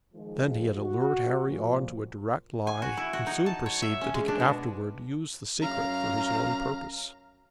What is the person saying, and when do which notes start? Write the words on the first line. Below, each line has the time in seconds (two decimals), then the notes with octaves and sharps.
Then he had allured Harry on to a direct lie, and soon perceived that he could afterward use the secret for his own purpose.
0.14 D#3 F3 G#3
0.76 F#4
1.46 A#2 F3
2.67 G#5
2.82 F#4
2.97 E4
3.13 F#4
3.27 D#4
3.46 A5
3.66 C#5
3.82 E5
4.01 C#4
4.14 G#3
4.28 D4
4.40 B2
5.62 F#2 F5 A#5